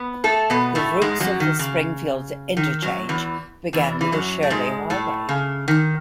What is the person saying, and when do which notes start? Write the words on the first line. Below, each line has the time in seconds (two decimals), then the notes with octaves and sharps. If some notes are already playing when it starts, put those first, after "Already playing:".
The roots of the Springfield Interchange began with the Shirley Highway.
Already playing: B3
0.24 A3 A4
0.50 B2 B3
0.75 A2 A3
1.02 G#2 G#3
1.20 F#2 F#3
1.40 D#3
1.59 C#3
2.57 D#3
2.82 F#2 F#3
3.09 E2 E3
3.73 E2 E3
4.01 E3
4.12 F#2 F#3
4.43 A3
4.50 G#2 G#3
4.90 A2 A3
5.29 C#3
5.68 D#3